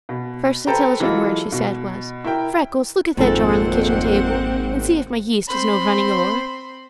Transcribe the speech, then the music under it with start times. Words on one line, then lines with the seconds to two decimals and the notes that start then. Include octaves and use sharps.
The first intelligent word she said was: "Freckles, look at that jar on the kitchen table and see if my yeast is no running ower."
0.09 B2
0.67 A4 B4 C5 G5 A#5
1.00 E3 F#3 G#3 F4 A4
1.52 B2
2.25 E4 A#4 G5
3.17 G#1 F2 G#3 A#3 C4 A4 F#5
5.47 C4 C5 B5 C6